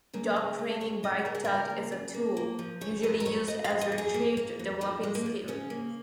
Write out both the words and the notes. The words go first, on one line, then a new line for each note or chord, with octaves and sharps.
Dog training bite tug is a tool usually used as retrieve developing skills.
C#3 A#3
G#3
C#3
G#3 C#5
C#3 D#5
C#3 A#4
G#4
C#3 A#4
A#3
C#3
A#3
A#3
F3
C#3 C#5
F2 D#5
A#4
F2 C#5
F2 D#5
F5
F2
D#5
F2
G#4
A#3
A#3
F2
F3 D#4
G#3
A#3
F3
C#3 C#4
A#3